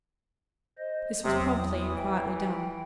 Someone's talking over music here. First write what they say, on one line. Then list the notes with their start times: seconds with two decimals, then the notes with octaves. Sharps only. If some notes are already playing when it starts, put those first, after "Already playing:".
This was promptly and quietly done.
0.78 C5 D#5
1.24 E2 C3 F#3 D#6
1.58 E3
1.97 G5